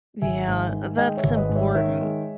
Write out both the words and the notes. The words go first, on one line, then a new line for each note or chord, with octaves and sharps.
Yeah. That's important.
G#1 E5 G#5
G#2
D#3
G#3 D#5 G5
C#5 E5
G#1
B4 D#5
G#2
C#5 E5
D#3 C#5 E5
G#3